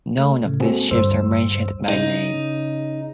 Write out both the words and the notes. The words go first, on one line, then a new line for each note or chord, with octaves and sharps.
None of these ships are mentioned by name.
A3
A2 C#3
G#3 A#3 C4 F#4 G#4 A4
D2 G2 C5 E6
C#3 D#4